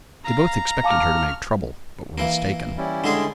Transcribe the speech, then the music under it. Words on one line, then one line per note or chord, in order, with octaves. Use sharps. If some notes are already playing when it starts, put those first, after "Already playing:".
They both expected her to make trouble but were mistaken.
F5 A#5
F5 A5 C#6 D6 F6
E3 A#3
G3 C#4 E4
D3 G#3 G#4